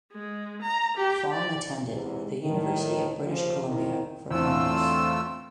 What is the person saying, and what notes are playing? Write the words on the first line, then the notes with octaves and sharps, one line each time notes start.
Fong attended the University of British Columbia for commerce.
G#3
A#5
G4
D5
E2 G#2 C3 G#3
A2 D#3
D#2 C#3 F3
A#2 D#3 C4 E4
E2 A2 D3 A3 C4 F4 E6